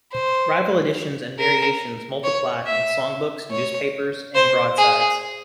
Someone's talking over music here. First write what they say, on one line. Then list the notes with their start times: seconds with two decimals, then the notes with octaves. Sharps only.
Rival editions and variations multiplied in songbooks, newspapers and broadsides.
0.12 C5
1.39 A#4
2.24 C#5
2.66 E5
3.51 C#5
4.35 C5
4.78 G#4